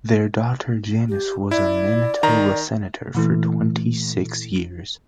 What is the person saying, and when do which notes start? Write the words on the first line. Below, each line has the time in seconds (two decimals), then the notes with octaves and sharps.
Their daughter Janis was a Manitoba senator for twenty six years.
1.09 G4
1.51 E4 D5
2.23 D#3 A#5
3.15 A#2 E3 A3